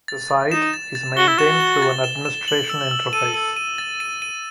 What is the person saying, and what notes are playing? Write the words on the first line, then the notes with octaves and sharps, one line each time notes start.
The site is maintained through an administration interface.
A6
A6
D#4 E7
A6
A6
F#4 G7
E4
F#4 E7
G7
A6
E7
E7
F#7
E6
E6
A4 D#7
D#7
D#7
A6
D#7
D#7